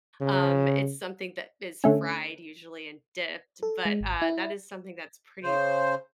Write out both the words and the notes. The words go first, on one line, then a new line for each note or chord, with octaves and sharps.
Um, it's something that is fried usually and dipped, but, uh, that is something that's pretty
C#3
D3 A3 C#4
A4
G#3
G#1
E4
C#3 C5